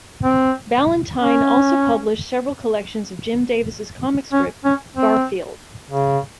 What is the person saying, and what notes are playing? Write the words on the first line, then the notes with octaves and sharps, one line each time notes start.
Ballantine also published several collections of Jim Davis' comic strip "Garfield".
C4
C#4
C#4
C#4
C4
C#3